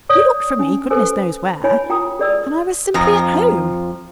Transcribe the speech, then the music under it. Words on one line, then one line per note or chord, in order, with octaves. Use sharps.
You looked for me, goodness knows where, and I was simply at home.
C#5 D5 D#6
C#4 G#5
A4 B4 C5 G#5 E6
E4 C#5 G#5 B5
F4 G5 A#5 D#6
G#4 D5 E6
F2 F3 A#5